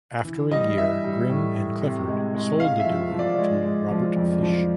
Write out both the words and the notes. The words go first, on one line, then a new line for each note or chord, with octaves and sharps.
After a year, Grimm and Clifford sold the duo to Robert Fish.
E3
G3 D#5
E3 E5
G3
A2
A2
C3
G#3
G#3
G#3 F5
E5
F3
F3
D5
G#3
G#3
F3
F2
F3